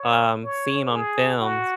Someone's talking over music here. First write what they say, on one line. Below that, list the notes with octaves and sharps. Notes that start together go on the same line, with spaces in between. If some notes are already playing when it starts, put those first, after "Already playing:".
um, seen on films.
Already playing: C#5
C#5
G#4
F#4